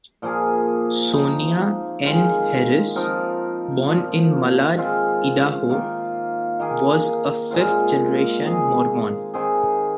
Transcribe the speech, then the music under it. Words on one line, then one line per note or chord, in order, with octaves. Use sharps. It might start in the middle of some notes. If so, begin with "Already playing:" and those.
Sonia Ann Harris, born in Malad, Idaho, was a fifth-generation Mormon.
A#2 F3 A#3 G#4
F3 C4 D#4
D#3 G#3 C4 F4
F3 C4 D#4 A#4
A#2 F3 C4
D#3 G#3 C4 F4
D#3 A#3 F4
D#3 A#3 G#4
A#2 G#3 C4 F4
D#3 C4 G#4
D#3 C4 G#4